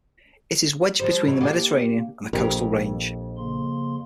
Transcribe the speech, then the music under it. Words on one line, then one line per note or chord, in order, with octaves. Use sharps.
It is wedged between the Mediterranean and the coastal range.
F3 G3 C5
B2 E3 F#3
A#3 D4 G4
A#1 F2 G4 A#4
C#3 A#3 C6